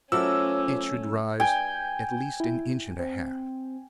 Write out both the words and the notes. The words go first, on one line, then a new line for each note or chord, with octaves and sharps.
It should rise at least an inch and a half.
F#3 A3 C#4 F4 A#4 C5 D6 E6
G5 G#5
E4
C4